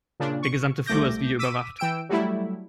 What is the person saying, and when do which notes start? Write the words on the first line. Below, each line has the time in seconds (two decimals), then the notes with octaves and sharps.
Der gesamte Flur ist videoüberwacht.
0.20 A#2 C#3 D4
0.43 C#6
0.86 C2 A3 D6 G6 A#6
1.39 D6 E6 B6 D#7
1.79 E3 G5 E6 D7
2.09 F#3 G3 A3 E4